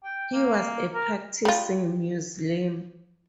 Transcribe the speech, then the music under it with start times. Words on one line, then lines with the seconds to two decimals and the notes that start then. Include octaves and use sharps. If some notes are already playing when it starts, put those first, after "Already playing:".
He was a practicing Muslim.
0.04 G5
0.34 A#3
0.94 A#4
1.45 G3 F4